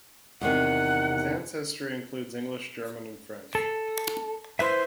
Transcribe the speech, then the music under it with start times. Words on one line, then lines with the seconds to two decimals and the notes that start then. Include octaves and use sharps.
His ancestry includes English, German, and French.
0.41 E2 C3 D#3 F#5
3.55 A4
4.59 E4 B4 C5 E5